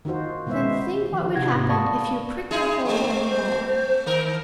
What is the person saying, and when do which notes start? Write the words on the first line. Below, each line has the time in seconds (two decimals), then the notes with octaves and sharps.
Then think what would happen if you pricked a hole in the ball.
0.05 D#3 D#4 F4 F#4 C5
0.47 B2 G#3 B3 E4 C5 E5
1.12 D#3 F3
1.35 C3 F4 G4 F#5 G#6 A#6
1.53 G#2 C3 A#3 A#6
1.69 D5 F5 A5 B5 C#6 D#6
2.51 D#4 E4 G#4
2.85 A3 C4
3.29 C5
4.06 D#3 A#4